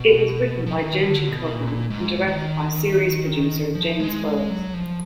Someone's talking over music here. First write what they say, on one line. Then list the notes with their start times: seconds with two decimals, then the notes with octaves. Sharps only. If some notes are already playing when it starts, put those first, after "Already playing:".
It was written by Jenji Kohan and directed by series producer James Burrows.
Already playing: B2
0.66 F3
0.78 D#3
1.03 D3
1.28 B2
1.52 A#2
1.90 G#2
2.27 D#3
3.75 F3
4.00 G#3
4.25 G#3
4.49 F#3
4.74 F3